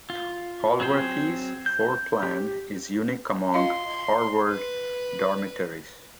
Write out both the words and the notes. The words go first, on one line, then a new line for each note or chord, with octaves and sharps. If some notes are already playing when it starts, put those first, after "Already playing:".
Holworthy's floorplan is unique among Harvard dormitories.
F4
F#3 C4 G#4 C5 G5
G6
G4
F4 D#5 F5 C6
B4